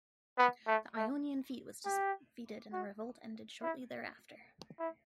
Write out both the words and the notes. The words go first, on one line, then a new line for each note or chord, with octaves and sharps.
The Ionian fleet was defeated and the revolt ended shortly thereafter.
B3
A3
A3
G4
F#4
E4
E4